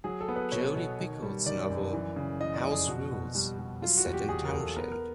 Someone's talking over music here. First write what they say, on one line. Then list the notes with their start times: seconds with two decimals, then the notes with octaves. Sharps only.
Jodi Picoult's novel "House Rules" is set in Townshend.
0.04 F#3 G#4
0.21 A4
0.28 B3
0.36 B4
0.52 B2 C#5
0.75 B2
0.99 D#3
1.22 G3
1.46 D#3 D5
1.70 F#2
1.93 E3
2.16 C#3
2.40 E3 D#5
2.56 D5
2.65 F2
2.72 G#4
2.87 B2 F#4
3.11 B2
3.35 G3
3.59 G3
3.82 F#3 F4
3.97 F#4
4.06 E2
4.13 G4
4.29 E2 G#4
4.45 A#4
4.53 E2
4.60 A4
4.76 B3 A#4
4.92 A#4